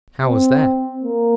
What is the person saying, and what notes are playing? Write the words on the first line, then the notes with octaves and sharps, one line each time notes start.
"How was that?"
C4
A#3